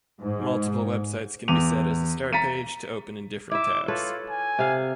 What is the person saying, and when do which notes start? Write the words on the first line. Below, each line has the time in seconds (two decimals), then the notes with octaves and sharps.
Multiple websites can be set as a start page, to open in different tabs.
0.21 G#2
1.48 E2 D6 D#7 F7
2.33 A#5 A6 B6 C#7 D#7
3.51 E4 E5 D6
3.88 F4 A4 B4 C#5
4.30 G#5
4.59 C3 F5